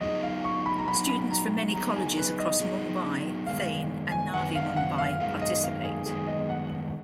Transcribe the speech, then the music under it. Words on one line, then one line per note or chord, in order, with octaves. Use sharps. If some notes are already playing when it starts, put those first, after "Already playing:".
Students from many colleges across Mumbai, Thane, and Navi Mumbai participate.
F#3 B3 D#4 G#4 D#5
F5
C#6
B5
A#5
F#3 B3 D#4 G#4 B5
B5
A#5
F#3 B3 D#4 G#4 A#5
G#5
B4
D#5
F#3 B3 D#4 G#4
F#2 D#3 G#3 B3 F5
G#5
F#2 D#3 G#3 B3 F#5
F5
F#5
F5
F#2 D#3 G#3 B3 F5
D#5
F5
G#4
F#2 D#3 G#3 B3 G#4
D#5
F#5